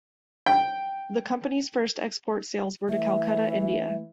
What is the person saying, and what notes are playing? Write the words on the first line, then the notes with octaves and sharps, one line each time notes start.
The Company's first export sales were to Calcutta, India.
G5
E3 A3 E5